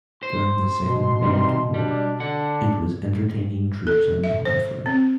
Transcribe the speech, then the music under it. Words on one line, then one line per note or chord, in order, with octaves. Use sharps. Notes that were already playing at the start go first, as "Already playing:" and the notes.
During the Second World War it was entertaining troops on the home front.
C5 C6
B2
C3 D#3 G3
G3 D4
D3 D4 F#5
A4
E5
C5
C4